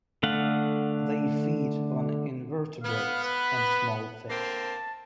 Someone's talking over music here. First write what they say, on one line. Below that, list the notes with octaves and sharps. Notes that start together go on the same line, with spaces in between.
They feed on invertebrates and small fish.
D3 A3 F5 F#5
B3 F5
B4
D3 A#3 C4 A5